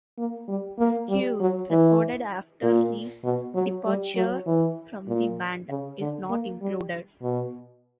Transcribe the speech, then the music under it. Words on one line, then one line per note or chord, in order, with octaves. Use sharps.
"Squeeze", recorded after Reed's departure from the band, is not included.
A#3
G3
A#3
G3
F#3
E3
A#2
B2
F#3
G3
F#3
E3
A#2
C#3
D3
A#3
G3
B2